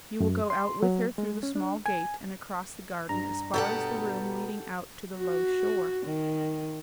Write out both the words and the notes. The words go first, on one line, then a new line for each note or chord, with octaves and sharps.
You will go out with her through the small gate and across the garden as far as the room leading out to the low shore.
F#2
C6
F#3
G#3
C#4
D4
G#5
G2 A#5
B2 G3 B3 G4 A4 F#5
F#4
D#3